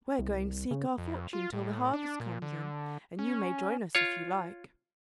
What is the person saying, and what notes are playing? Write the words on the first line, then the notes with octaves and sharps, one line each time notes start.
"We're going to seek our fortune till the harvest comes in, and you may join us if you like."
C2
C#3
F2
F4
A2
D4
A#2
D3
C#4
F4 C#5